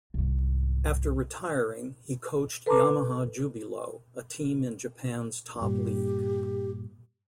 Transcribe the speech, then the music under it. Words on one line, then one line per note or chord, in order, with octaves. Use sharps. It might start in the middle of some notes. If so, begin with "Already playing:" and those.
After retiring, he coached Yamaha Jubilo, a team in Japan's Top League.
C2 G#2
A4 B4 A5 A#5 C6 D6
G2 A#2 G4